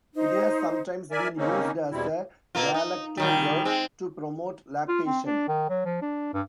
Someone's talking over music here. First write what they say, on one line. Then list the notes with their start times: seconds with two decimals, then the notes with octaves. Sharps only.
It has sometimes been used as a galactogogue to promote lactation.
0.15 D#4 C5
1.11 A#4 D5 E5 G#5
1.37 C#3 A#3 C4 C#4 D#4
1.91 E2 B2 G3 C4 E4
2.55 B2 A#3 F4
2.74 D#4
3.17 A#2 D#3 G3
3.65 G#3 C4
4.88 F4
5.07 C4
5.26 D4
5.48 D#3
5.69 F#3
5.85 F3
6.02 D4
6.34 G2